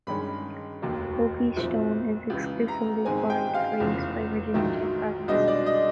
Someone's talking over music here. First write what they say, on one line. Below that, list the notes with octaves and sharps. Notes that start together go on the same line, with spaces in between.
Hokie Stone is exclusively quarried for use by Virginia Tech projects.
G2 D#3 G#3 C#4 B5
F1 D#2 D#3 F#3 A#3
B1 A#2 F3 A3 C4
C#2 C#3 E3
A#5
G#2 D#3 G#3 C4 G#5
G5
F5
F1 E2 C#3 F3
A#1 G#2 D#3 F#3 A3
C2 B2 G#3 B3 D4 D#5
D5
D#5